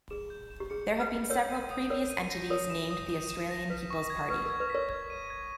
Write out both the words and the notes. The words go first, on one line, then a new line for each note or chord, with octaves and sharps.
There have been several previous entities named The Australian People's Party.
G#4 E7
G6
E7
G4
G#4 C#7
E7
B4
C#7
A#4 C#5 G6
D#7
D#6
A#4 C#5 G6
D#7
A#6
A#4 C#5 D#6
E7
D#6
D#6
E7
A#6
B4 B6
C#6
G#6
B4 C#6
A#4 G#6
B4
A#4 C#5 B6
G#6
D#7
G#6